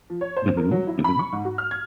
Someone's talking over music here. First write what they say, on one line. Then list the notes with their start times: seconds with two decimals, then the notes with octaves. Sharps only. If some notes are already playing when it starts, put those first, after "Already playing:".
Mhm. Mhm.
0.10 F3
0.21 C#5
0.37 C5
0.57 A#4
0.71 F#3
0.87 E4
1.04 B5
1.19 C#6
1.33 G#2
1.45 F#4
1.58 F6
1.71 G#6